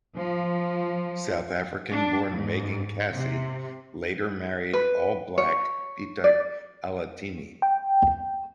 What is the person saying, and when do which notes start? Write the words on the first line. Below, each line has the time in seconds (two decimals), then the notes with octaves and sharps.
South African-born Megan Cassie later married All Black Pita Alatini.
0.16 F3
1.91 D4
2.32 G#2
3.16 C3
4.73 B4
5.38 C#5
6.24 D5
7.62 G5